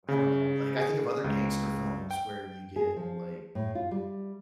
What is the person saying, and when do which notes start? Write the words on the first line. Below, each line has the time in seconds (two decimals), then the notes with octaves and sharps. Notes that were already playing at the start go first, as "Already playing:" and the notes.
I don't know. Like, I think of other gangster films where you get, like,
0.08 C#3
0.76 G#4
1.24 C#2
2.11 G5
2.76 G#4
2.97 F3
3.55 A2
3.75 F4
3.91 G3